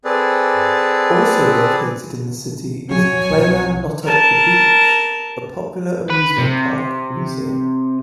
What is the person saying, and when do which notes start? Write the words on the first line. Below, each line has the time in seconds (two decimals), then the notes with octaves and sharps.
Also located in the city is Playland-Not-At-The-Beach, a popular amusement park museum.
0.05 C4 G#4 A4 B4 D5
2.90 F#3 C#5 G#5
3.29 B1 C3
4.04 A#4 A5
6.10 B4
6.38 C3